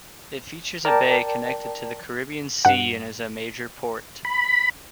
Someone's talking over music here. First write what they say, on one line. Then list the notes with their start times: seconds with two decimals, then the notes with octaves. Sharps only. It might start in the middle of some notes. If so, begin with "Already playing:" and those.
It features a bay connected to the Caribbean Sea and is a major port.
0.85 A#4 D5 G5 A5 A#5
2.65 G2 F#5
4.25 B5